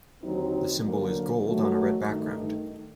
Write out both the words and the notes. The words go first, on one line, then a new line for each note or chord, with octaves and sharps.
The symbol is gold on a red background.
D#2 D3 F#3 C4 D#4
D3 F#3 A#3
D#3 F#3 A3
G2 D#3 A3 D#4